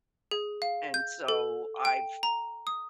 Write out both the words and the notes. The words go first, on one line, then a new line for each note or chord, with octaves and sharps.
And so, I've
G#4
F5
G6
A4
G5
A#5
D#6